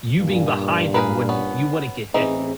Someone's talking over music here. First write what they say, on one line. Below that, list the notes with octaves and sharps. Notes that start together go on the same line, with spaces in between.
you being behind him wouldn't you wouldn't get hit,
G2 A#2
G#4 A#4 B4
B3 C#4
A1 E3 C4 D#4 G#4